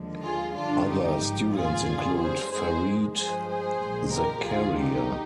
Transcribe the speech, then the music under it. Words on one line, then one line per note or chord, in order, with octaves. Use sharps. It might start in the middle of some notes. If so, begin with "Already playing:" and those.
Other students include Fareed Zakaria.
Already playing: D#2 D3 F3 G#3
F4 G#4
G2 D3 G3 D4 F4
D#4 G4
G#1 G#2 F3
F4 G#4
F2 D3 G3
G#4 C5
F2 D#3 G#3 G#4 C5
G2 F3 G#3 G#4 C5
G#4 C5
A#1 A#2 F3 G#3
G4 A#4
D2 D3 F3 G#3 F4 G#4
D#4 G4